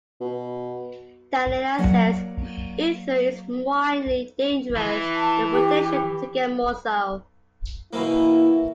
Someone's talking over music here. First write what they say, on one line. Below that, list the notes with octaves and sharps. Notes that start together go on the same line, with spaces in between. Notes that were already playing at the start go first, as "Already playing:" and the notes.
Daniela says: Esther is mildly dangerous with the potential to get more so.
B2
F#3 A#3 D5 F#5
E3
A5
G4
B2 E3 A#3 E4